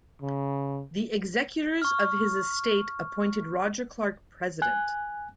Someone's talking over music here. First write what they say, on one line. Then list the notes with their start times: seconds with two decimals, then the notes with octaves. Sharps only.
The executors of his estate appointed Roger Clark president.
0.22 C#3
1.82 C#6 F6
4.62 G#5 F#6